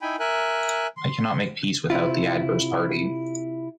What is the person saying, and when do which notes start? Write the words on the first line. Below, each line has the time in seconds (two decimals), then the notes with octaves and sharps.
I cannot make peace without the adverse party.
0.02 D#4 E4 G5 G#5 B5
0.20 A#4 E5 G#5 F#6
0.97 C6
1.90 C3 C4 E4 F4